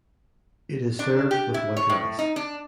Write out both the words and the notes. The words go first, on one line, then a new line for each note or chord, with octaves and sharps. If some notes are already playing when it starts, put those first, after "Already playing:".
It is served with white rice.
D4
G4
E4
C#5
A2
D#4
D4